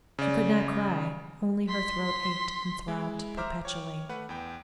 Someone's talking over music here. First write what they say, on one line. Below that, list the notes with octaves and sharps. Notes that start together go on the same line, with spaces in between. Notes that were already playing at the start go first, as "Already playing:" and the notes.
She could not cry, only her throat ached and throbbed perpetually.
C#3 D5
C6 B6
G#3 E4
C5 E5 A#5 D6 F6
C#5 G5 F6
A3 B4 F#5
E2 G5